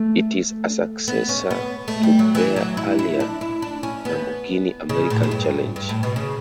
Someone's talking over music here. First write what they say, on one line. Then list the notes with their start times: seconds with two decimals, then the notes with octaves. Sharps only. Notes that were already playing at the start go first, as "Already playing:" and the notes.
It is a successor to their earlier "Lamborghini American Challenge".
Already playing: A3
1.08 B3
1.29 C#4
1.50 B3
1.88 A3
2.03 G3
2.19 F#3
2.35 E3
2.56 F#3
2.77 E4
2.99 E4
3.20 D4
3.41 E4
3.62 D4
3.83 C#4
4.05 B3
4.89 C#3
5.10 A2
5.23 A2
5.31 G2
5.76 G2
5.89 A2
6.03 B2
6.16 C#3